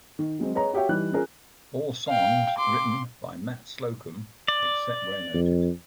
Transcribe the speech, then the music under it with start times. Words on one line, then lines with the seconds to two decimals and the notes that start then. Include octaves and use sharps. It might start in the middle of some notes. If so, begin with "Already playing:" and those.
All songs written by Matt Slocum, except where noted.
0.19 D#3
0.39 F#3 G#3 C4
0.55 G#4 B4 C#5 D#5 A#5
0.73 F#4 G4 C#5 E5 G5
0.89 E3 G3 D#4 F#6
1.12 C#4 F4 G#4 A#4
2.07 F5 G5
2.58 C6 D6
4.48 D5
5.34 F2